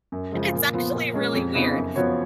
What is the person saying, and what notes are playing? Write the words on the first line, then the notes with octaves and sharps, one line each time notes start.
It's actually really weird.
F#2
C#3 F3 G#3
A#2
F3 B3 F4
A#2
G#3 C#4 G#4
F2
C#3 F3 B3 D#4
F#2
F3 B3 F#4 C#5